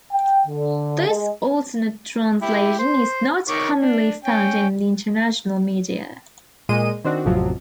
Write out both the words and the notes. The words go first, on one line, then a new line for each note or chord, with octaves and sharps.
This alternate translation is not commonly found in the international media.
G5
D3
G#3
E4 G4
C5
D#3 C#5 D6
D4
C#4 G5
A#2 G#3 D#5 D#7
D#3 C4 D4 F#4
A1 F2 C3 F3 F#3